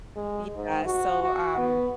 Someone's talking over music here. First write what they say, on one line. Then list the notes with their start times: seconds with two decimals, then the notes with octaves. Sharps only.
yeah. So, um
0.16 G#3
0.55 G#2
0.86 F#4
1.24 F#4
1.58 B3